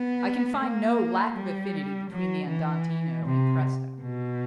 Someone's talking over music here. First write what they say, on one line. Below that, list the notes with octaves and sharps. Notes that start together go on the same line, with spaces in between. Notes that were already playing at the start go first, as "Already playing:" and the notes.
I can find "no lack of affinity" between the andantino and presto.
Already playing: B3
A#3
G3
F#3
E3
C3
B2